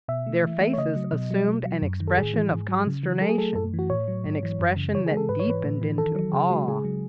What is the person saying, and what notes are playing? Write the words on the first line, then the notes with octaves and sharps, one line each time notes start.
Their faces assumed an expression of consternation, an expression that deepened into awe.
B2 E5
A3
E3
A3
C#5
C#3 D#5
F#3
B2
F#3
B2
F#3
F#2
D#3
A4
A2 G#4
E3
G#2
F#3
C#3
E3
F#3 A4
G#4
A3 A4
F#2 A4
E3
F#4
A2 C#5
F#3
G#2
E3
F#2
C#3
E3 C#5
G#4
G#3
A4
G#2 B4
C#5
E3 B4
A2
E3
D#3 A4
F#3
C#3 G#4
G#3 F#4
C#3 G#4
F#3